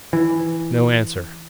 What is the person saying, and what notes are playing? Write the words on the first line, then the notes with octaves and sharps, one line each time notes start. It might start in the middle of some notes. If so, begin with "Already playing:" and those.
No answer.
E3